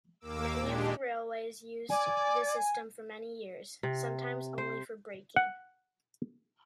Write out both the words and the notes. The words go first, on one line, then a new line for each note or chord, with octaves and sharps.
Many of the railways used the system for many years, sometimes only for braking.
D#2 A#3 D6 E6
A#2 G#3 D4 G4
D5 G#5
C3
C5
F#5